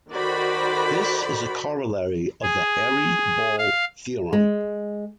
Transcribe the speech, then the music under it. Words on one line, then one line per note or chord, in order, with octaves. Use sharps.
This is a corollary of the hairy ball theorem.
D#3 F#4 A4 C5 D5 B5
G#4
F5
G#3